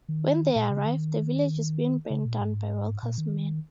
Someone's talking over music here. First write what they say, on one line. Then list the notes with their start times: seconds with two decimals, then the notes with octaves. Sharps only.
When they arrive, the village is being burned down by Walker's men.
0.09 D#3
0.56 A#2
0.71 C#3
0.86 D#3
2.10 C#3
2.26 A#2
2.41 G#2
3.03 A#2
3.18 D#3